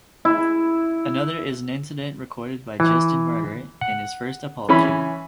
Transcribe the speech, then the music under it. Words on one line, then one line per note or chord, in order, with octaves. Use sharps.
Another is an incident recorded by Justin Martyr in his "First Apology".
E4
E3
F#5
E3 C#4 B5